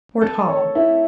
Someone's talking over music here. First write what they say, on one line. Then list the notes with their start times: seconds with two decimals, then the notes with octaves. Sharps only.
Fort Hall.
0.21 A4
0.48 C#5
0.75 E4